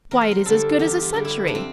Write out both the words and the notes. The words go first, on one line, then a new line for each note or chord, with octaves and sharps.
Why, it is as good as a century!
E2 A#4
C5
A#4
D3 G3 A4
E2 G4
F4
D3 G3
E4
F2 D4
C4